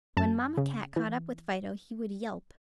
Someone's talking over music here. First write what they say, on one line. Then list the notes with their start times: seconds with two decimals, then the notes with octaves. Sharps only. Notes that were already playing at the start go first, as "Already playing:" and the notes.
When Mamma Cat caught up with Fido he would yelp.
0.17 F#2 A5
0.57 C#3
0.96 E3